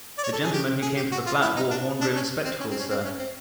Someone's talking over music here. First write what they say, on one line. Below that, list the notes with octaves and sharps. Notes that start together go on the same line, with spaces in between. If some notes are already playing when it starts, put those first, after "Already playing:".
The gentleman who came to the flat wore horn-rimmed spectacles, sir.
D5
C#5
A4
G#4
G4
G#4
G4
F#4
F4
E4
D#4
D4
D4
C#4
C4
C#4
C4
C#4
C4
C#4
C4